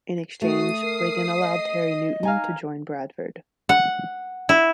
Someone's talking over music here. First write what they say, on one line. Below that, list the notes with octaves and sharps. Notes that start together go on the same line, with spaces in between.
In exchange, Wigan allowed Terry Newton to join Bradford.
A3 F#4 D#6 C7
A#4
D#5
D#4 F5 G#5 A#5
F#5
E4